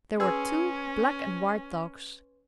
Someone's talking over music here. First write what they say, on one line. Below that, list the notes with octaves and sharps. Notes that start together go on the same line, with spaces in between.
There were two black and white dogs.
C#4 G#4 B4 C6 E6 G#6